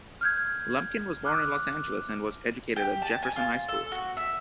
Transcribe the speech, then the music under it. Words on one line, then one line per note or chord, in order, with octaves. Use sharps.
Lumpkin was born in Los Angeles and was educated at Jefferson High School.
F6 G6 G#6
D6 F6 F#6
G4
A5
G#5
F4
A4
F#4
E5